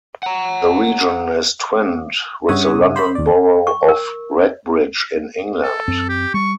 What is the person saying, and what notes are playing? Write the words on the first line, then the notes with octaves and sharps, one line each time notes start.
The region is twinned with the London Borough of Redbridge in England.
F#5 A#5
G2 C#3 C#5 E5 F#5 D#6
C5 B5
D#2 D5
C#6
A#4
A4
F#2 C4
G4
G3 C#6